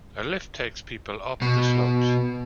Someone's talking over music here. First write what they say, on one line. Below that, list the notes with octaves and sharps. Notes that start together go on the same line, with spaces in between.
A lift takes people up the slopes.
B2 B3